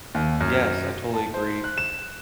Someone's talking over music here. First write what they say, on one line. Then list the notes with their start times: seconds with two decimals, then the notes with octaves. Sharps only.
Yes, I totally agree.
0.15 D#2
0.41 F#2
1.14 A5
1.34 C5
1.64 F#6
1.78 E7